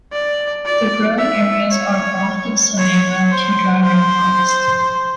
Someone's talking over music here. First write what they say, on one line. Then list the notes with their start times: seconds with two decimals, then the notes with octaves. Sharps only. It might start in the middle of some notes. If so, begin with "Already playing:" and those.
The growing areas are often savannah to dry rainforest.
0.12 D5
0.65 D5
1.18 E5
1.72 C#5
2.77 C#5
3.31 C5
3.84 C5